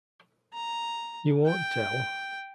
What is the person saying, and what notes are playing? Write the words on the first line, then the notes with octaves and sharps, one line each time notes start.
You won't tell?
A#5
G5